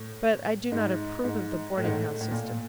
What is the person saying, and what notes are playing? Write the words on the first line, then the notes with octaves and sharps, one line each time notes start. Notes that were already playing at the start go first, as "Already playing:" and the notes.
But I do not approve of the boarding-house system.
Already playing: A2
G#2
G#2
A2
G#2
A2
A2
A#2